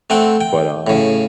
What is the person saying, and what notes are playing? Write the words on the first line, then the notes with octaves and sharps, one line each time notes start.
but, um
A3 C4 F#5 G5
G5
A2 C#3